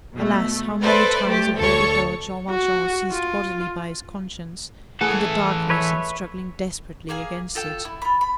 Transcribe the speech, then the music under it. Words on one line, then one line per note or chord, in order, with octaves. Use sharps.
Alas! how many times have we beheld Jean Valjean seized bodily by his conscience, in the darkness, and struggling desperately against it!
B2 A3
A4 B4 C5 D5 E5
A3 G4
D2 A4 C#5 C#6
F#4
F4
E3 A3 G#4 A4 F#5
B4 C#5 E5
A#3 G#4 F5 G#5
F4 A4 G5
E4
F4 B5
B5